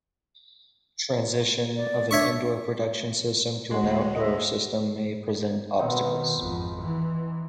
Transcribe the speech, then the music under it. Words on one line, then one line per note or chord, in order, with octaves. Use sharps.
Transition of an indoor production system to an outdoor system may present obstacles.
D5
D4 C#5 E5 C#6
G#3 F#4
D2 A3 A#3
D#5 E5
B2 D#3 B3 C4 D#4
G#1 F2
E3